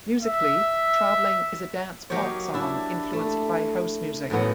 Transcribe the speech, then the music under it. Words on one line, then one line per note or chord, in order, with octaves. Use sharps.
Musically, "Traveling" is a dance-pop song, influenced by house music.
E5
F#3 A#3 D#4 G4 C#5
D4 E4
A3
F#2 A2 E3 B3 F#5